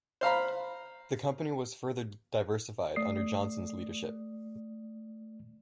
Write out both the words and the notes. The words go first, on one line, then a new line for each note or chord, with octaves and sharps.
The company was further diversified under Johnson's leadership.
C5 F5 A#5 B5
A3 D5 D#6 C7